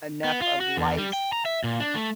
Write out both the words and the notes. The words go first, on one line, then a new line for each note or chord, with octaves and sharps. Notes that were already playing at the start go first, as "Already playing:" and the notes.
enough of life's
B3
F4
F#4
E2
G3
G5
A#5
E5
A#2
D4
A3